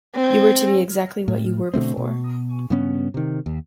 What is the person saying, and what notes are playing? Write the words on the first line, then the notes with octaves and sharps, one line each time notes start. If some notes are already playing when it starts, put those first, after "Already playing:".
You were to be exactly what you were before.
C4
A2
B2 D3 A3 C4
B2
G2 C#3 B3 C#4
C3 D#3
D#2